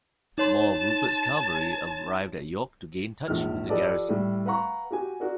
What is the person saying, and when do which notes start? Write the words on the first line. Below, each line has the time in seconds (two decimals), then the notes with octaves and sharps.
More of Rupert's cavalry arrived at York to gain touch with the garrison.
0.38 D#4 C#5 A5 C6
3.27 A#1 E2 G#2 F3 F6
3.69 F3 G4 A4 B4 D5 D#5
4.09 A2 G3
4.46 B4 F5 F#5 A#5 C#6
4.91 F#4 G4 G#5
5.20 F#4 G#4 A#4 D5